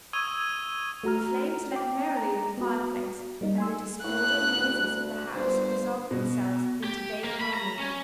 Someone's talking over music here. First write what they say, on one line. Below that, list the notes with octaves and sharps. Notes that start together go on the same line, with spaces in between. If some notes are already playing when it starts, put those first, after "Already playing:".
The flames leaped merrily in the fireplace and the discordant noises of the house resolved themselves into vague harmony.
C#6 D#6 E6 G#6 D#7 G7
A3 F#4 A#5 F6
G5 D6
A#5
B3 F#4
G3 A#3 D#4
G#5 C6 E6
A2 F#6
D2
G1 C5
B2
G4
A#3
B5
A#5
C#4